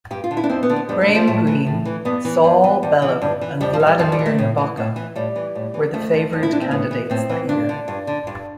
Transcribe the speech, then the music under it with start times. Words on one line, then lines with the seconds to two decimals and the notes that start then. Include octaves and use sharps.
Graham Greene, Saul Bellow and Vladimir Nabokov were the favoured candidates that year.
0.10 G2 G4
0.24 F4
0.31 D3
0.37 E4
0.44 D4
0.50 F2 C4
0.63 B3
0.69 D3
0.76 B3
0.89 F2 G3
1.01 A3
1.08 D3
1.15 F3
1.27 A2 A3
1.47 E3
1.66 A2
1.85 E3
2.05 G2 B3
2.25 E3
2.44 G2
2.64 E3
2.83 G2
3.02 E3
3.22 G2
3.41 E3
3.60 F2 G3
3.73 F3
3.80 E3
3.87 G3
3.99 F2 F3
4.12 G3
4.19 E3
4.26 A3
4.39 A2
4.58 E3
4.77 A2
4.96 E3
5.16 A2 G3
5.36 E3
5.55 A2
5.74 E3
5.94 F2 A3
6.14 D3
6.33 F2
6.43 E4
6.52 D3 D4
6.61 C4
6.71 A2 B3
6.91 E3
7.10 A2 C4
7.29 E3
7.49 G2 D4
7.69 D3
7.88 G2
8.07 D3
8.27 G2